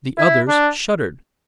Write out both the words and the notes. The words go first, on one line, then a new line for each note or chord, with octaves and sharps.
The others shuddered.
E4
D4